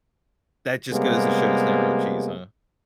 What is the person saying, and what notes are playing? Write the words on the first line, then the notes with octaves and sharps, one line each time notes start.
That just goes to show it's not real cheese, huh.
C3 G3 G#3 A#3 B3